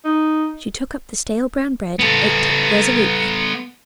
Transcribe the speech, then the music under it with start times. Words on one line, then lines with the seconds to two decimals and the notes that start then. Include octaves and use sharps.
She took up the stale brown bread and ate it resolutely.
0.05 D#4
1.99 B3 A4